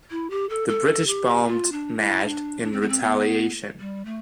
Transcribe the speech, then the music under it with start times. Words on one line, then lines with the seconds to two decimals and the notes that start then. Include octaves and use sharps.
The British bombed Najd in retaliation.
0.11 E4
0.30 G4
0.49 A4
0.69 A4
1.07 G4
1.47 F4
1.72 D4
1.99 E4
2.24 D4
2.63 D4
2.73 C4
2.81 B3
2.89 C4
3.02 B3
3.79 G3
4.05 A3